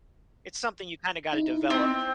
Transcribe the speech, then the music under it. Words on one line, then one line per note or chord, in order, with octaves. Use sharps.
it's something you kinda gotta develop.
D#4 E4
C4